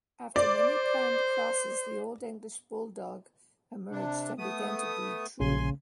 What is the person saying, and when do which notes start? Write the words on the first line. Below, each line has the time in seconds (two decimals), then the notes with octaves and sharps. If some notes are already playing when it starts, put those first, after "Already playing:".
After many planned crosses, the Olde English Bulldogge emerged and began to breed true.
0.36 C5 D5
3.91 C3 D4
4.38 A3 B3 D#6
5.40 A#1 C#3 G#5 C6